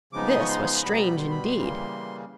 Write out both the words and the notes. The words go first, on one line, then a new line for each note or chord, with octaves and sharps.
This was strange indeed!
C#3 F3 G#3 B3 D#4 D6
D#6
C#6
C6
C6
B2 G3 B3 B5
A#5
B5
C6
B5
C6
C#3 E3 G3 A#3